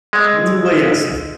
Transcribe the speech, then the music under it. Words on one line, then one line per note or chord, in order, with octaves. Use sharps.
Mm, well, yes,
G#3 D#5 D#6 E6